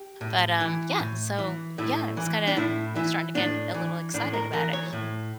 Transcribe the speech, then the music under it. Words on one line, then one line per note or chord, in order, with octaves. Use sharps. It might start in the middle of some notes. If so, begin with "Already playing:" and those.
but, um, yeah, so, yeah, I'm, just, kinda, I'm starting to get a little excited about it.
Already playing: G4
A2
E3
A2
E3
A2 E4
E3
D4
A2 E4
E3 E4
A2 D4
E3
A2 D4
A#4
E3 A#4
C#5
A2